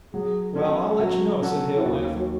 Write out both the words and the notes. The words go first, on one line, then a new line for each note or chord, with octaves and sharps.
"Well, I'll let you know," said Hale laughing.
F#3 G#4
C#4 F#4 A4
F#3 F#4
C#4 F#4 A4
E4
D#2 F#4
F#4